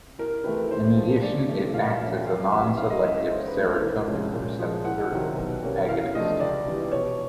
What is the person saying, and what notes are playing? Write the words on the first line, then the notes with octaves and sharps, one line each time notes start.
In addition, it acts as a non-selective serotonin receptor agonist.
C2 A#4
C3 E3 A3 B4
G#2 C5
F3 A#3
D2 D5
C3 E3 A3
A#2 F5
E5
F3 A3 C#4 F5
G5
F2 F5
C3 E3 G3 C4 E5
G#2 F5
D#5
E3 G#3 C#4 E5
D#5
G#2 C5
B4
F3 A3 D4
C5
C2
C3 F3 G#3 C#4
A#2
F3 G#3
C2 F#5
C3 D#3 F#3
B2
G3 A#3 C#4
E2 F5
C3 F3 A3 D4 D#5
C#2 D5
C3 E3 G3
B2 C#5